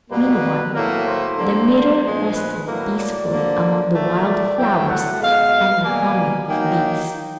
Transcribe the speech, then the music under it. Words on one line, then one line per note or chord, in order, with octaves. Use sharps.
Meanwhile the mirror rested peacefully among the wild flowers and the humming of bees.
B2 G3 A#3 B4
A2 F#3 A#3 A#4
C5
D3 G3 A#3
A#2 F3 G#3
B4
A2 F#3 A#3 A#4
D5
D3 F3 A#3
A#2 F#3 A3
D5
A2 F#3 A3 G5
F#5
B2 G#3 F5
B2 G3 A#3 G#5
D#3 F#3 A#3 G5